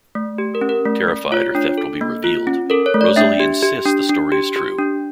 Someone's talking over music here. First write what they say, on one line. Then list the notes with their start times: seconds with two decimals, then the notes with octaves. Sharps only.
Terrified her theft will be revealed, Rosalie insists the story is true.
0.15 A3
0.38 G4
0.55 A#4
0.61 C#4
0.69 A#4
0.85 A3
1.08 A3
1.32 F4 C#5
1.55 D4
1.78 A4
2.01 A#3
2.24 F4
2.47 C#4
2.70 A4 A#4
2.86 C#5
2.94 A3
3.01 D5
3.16 D4 E5
3.40 G4
3.63 G4
3.86 D4
4.09 D4
4.32 G4
4.56 G4
4.79 D4